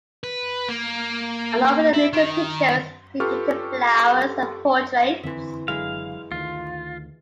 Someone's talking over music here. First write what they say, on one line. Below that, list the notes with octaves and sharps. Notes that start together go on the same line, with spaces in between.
Along with nature pictures, he painted flowers and portraits.
B4
A#3
E4
D#3
F4 G4 A4 B4 C#6 F6
F2 D3 E3 C4 E5
F#1 D3 F#3 G#3 E4 F5
D2 D#3 F4